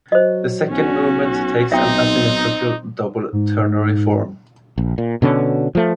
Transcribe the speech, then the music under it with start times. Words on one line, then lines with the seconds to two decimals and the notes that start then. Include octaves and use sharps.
The second movement takes an asymmetrical-double-ternary form.
0.12 F#3 C5 D#5
0.70 B1 C#4 F#4
1.72 B1 C4 D#4 E5 G5
3.33 G#2
4.78 A#1
4.98 A#2
5.22 B2 D3 C4 C#4
5.75 F3 A3